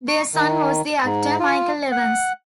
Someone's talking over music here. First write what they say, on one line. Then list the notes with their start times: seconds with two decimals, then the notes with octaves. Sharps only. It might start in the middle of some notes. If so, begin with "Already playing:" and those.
Their son was the actor Michael Evans.
0.08 C#6
0.34 D#3
1.05 G#2
1.40 F4
1.92 F#5